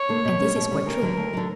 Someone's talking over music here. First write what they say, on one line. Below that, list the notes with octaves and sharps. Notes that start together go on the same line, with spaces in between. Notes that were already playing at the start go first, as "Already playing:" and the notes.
And this is quite true.
Already playing: C#5
D3 A#3
B2
G3 C#4
B2
G3 C#4
D2 A#4
D3 F#3
D2
D3 F#3